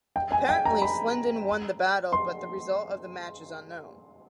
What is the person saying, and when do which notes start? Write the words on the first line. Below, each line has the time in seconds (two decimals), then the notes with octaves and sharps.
Apparently, Slindon won the battle but the result of the match is unknown.
0.16 G5
0.32 G#5
0.49 G5
0.65 A#5
0.82 B5
2.13 C6